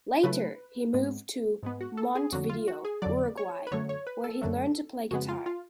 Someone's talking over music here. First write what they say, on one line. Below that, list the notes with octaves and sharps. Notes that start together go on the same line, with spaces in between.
Later he moved to Montevideo, Uruguay, where he learned to play guitar.
C#3 F#3 A3 B4
G#2 G#3 B3
G#2 G#3 B3
F#4
A4
G#4
F2 D3 F#3 F#4
F4
F#4
G#4
F2 D3 F#3 D5
C#5
B4
F#2 D3 F#3 A3 C#5
C#5
B4
A4
F#2 D3 F#3 A3
F2 C#3 G#3 B3 F#4
F4
F4